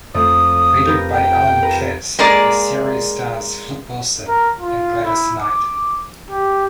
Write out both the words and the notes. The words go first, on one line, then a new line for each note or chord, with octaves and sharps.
Created by Allan Katz, the series stars Flip Wilson and Gladys Knight.
F2 A3 D#6
G4 A#4 B4
G5
A#4 B4
G#3 A#3 G#4 A#4 D5
A#4
F4
E4
D6
G4